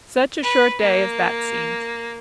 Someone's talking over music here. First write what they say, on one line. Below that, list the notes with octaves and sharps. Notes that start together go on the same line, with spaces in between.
Such a short day as that seemed!
B4
A#3